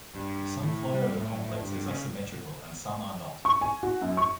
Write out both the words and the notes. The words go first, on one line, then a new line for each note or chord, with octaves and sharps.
Some flyover complexes are symmetrical and some are not.
G2
A2
G3
A2
G2
C#3
C#6
G#5
F#4
F#2
C#6